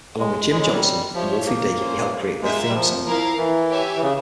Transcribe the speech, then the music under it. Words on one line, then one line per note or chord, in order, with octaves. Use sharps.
Along with Jim Johnston and Wolfie D, he helped create their theme song.
G#3
G#3 E4 A#4 C#5
G#3
G3
F3 G4 C#5 E5
A#3
C#4 F4 C5
G#3 A#3 F4 A#4 E5
G3
F3
A#3 E4 A#4 F5
E3
G4 C#5 E5 G#5
E3
C#3